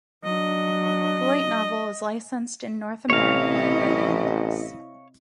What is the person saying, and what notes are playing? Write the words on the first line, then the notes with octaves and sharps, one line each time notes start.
The light novel is licensed in North America by Yen Press.
F#3 D4 D#5
A1 C3 E4 C#5 D#5 F5